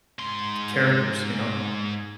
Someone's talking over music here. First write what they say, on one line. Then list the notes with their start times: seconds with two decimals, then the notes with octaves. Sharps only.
c characters, you know,
0.19 G#2 C6